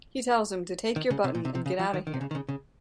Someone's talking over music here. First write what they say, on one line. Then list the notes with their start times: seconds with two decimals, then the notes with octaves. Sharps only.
He tells him to "take your button and get outta here".
0.96 D#3
1.10 C#3
1.24 C3
1.35 A#2
1.45 C3
1.55 C3
1.66 C#3
1.79 F3
1.94 D#3
2.07 D#3
2.14 C3
2.21 C#3
2.31 D#3
2.35 C#3
2.49 C#3